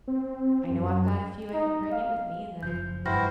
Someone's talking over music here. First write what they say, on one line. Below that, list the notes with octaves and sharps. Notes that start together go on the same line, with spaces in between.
I know I've got a few I can bring in with me, and then,
C4
F#2
D#4
F5
F#1 F3 G6
G2 E4 F#4 C5 G5 F6 A#6